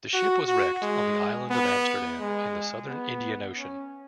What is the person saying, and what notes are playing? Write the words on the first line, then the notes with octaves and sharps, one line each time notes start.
The ship was wrecked on the Island of Amsterdam in the southern Indian Ocean.
F#4
F#4
G#3
B3
G#3
B3
C#4